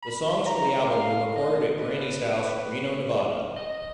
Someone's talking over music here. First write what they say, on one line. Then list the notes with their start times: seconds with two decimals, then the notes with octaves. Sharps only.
The songs for the album were recorded at Granny's House, Reno, Nevada.
0.03 B5
0.46 A#5
0.91 F5
1.36 D#5
1.80 B4
3.57 D#5